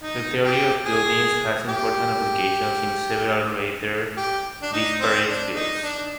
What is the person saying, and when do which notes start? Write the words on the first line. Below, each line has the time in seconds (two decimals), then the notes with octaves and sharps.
The theory of buildings has important applications in several rather disparate fields.
0.02 D#4
0.43 G4
0.85 G#4
1.68 G4
4.17 G4
4.62 D4
4.73 D#4
5.00 C4
5.28 D4
5.56 D#4
5.83 D4